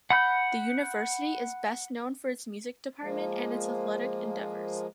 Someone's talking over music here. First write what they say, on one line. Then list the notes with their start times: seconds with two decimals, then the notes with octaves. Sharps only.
The University is best known for its music department and its athletic endeavors.
0.10 F#5 B5 G6
3.01 F3 G#3 A#3